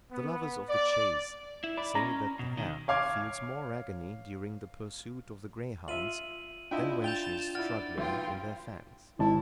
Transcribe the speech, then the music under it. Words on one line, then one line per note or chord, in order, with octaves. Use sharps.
The lovers of the chase say that the hare feels more agony during the pursuit of the greyhounds, than when she is struggling in their fangs.
B3
D5
E4
D5 B5
C#4 A#5
B2
D#3
C#5 F5 D6 G#6
F4 E5 D#7 F#7
D4 E4 F4 D#5 E5 G5
G5 G6 A6 E7 F7 G7
E4 D5 F#5 F6 A6
B1 F4 G5
G#1 E4 A5